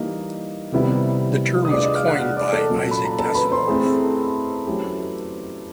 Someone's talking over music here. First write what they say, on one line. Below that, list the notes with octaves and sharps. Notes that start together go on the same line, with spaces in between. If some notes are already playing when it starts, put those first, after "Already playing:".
The term was coined by Isaac Asimov.
Already playing: E3 G3 A#3 D#4 D#5
C3 D#3 G3 B3 E4
D#6
A3 D4 F4 G#4 B4 D5 D6
D#5 D#6
F5 F6
F#5 F#6
F#5 F#6
D5 D6
A4 A5
A#2 F#3 A#3 C#4
B5
A#5
A4 A5
B4 B5
C5 C6
A3 C4 E4 G#4
F#3 A3 C#4 E4 G4